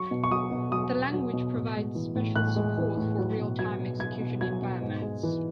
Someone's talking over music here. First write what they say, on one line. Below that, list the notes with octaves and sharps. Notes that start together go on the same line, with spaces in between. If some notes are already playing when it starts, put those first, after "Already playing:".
The language provides special support for real-time execution environments.
Already playing: F#3 C#6
B2
C#6
F#3 D#6
B2
F#3 D#6
B2
F#3
B2
A2
G#3
E3
A2
A2 F#6
G#3
E3
A2
F#3
B2
F#3 G#6
B2
F#3 G#6
B2
F#3 G#6
B2
G#2
G#3
E3